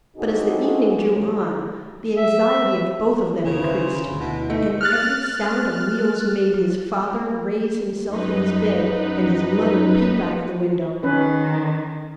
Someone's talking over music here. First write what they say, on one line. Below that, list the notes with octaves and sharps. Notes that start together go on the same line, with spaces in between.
But as the evening drew on, the anxiety of both of them increased, and every sound of wheels made his father raise himself in his bed, and his mother peep out of the window.
A2 D3 C4 D#4 F#4 G#4
E5
D#2 C#3 F4 B4 G#5
D#3 C5 E5 B5 C6
D2 G2 D3
B2 E4
A3 D#4
F6 F#6 A6
F#2 D#4 B4
D#3 C#4 B4